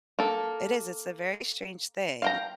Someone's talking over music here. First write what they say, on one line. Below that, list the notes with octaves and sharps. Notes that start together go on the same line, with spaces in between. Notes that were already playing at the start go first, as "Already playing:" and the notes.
it is, it's a very strange thing.
A#3 A4
F5 G5 A#5